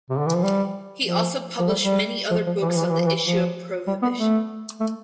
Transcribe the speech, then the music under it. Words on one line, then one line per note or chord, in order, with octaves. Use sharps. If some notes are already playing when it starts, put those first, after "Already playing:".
He also published many other books on the issue of Prohibition.
C3
D3
E3
F3
G3
F3
F3
G3
G3
F3
F3
E3
F3
E3
F3
E3
F3
E3
F3
G3
B3
A3
A3